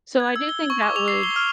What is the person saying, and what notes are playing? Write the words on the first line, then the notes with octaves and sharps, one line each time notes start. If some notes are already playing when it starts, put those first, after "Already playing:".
So I do think that would
G#6
E6
G7
C#6
D6
F7
C7
G7
F6